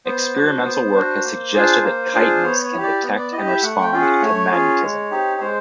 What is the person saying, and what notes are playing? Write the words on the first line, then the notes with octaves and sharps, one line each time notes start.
Experimental work has suggested that chitons can detect and respond to magnetism.
B3 C5
D4 F#4
B3
D4 F#4
A#3
D4 F4 G#4
A#3
D4 F4 G#4
B3 C#5
C#5
E4 G4
D5
B3
D5
E4 G4 D#5
E5
A3 F#5
G5
C#4 F4 G#4
F#5
A3 C#5
C#4 F4 G#4
G#3
C4 D#4 G4
G#3 C5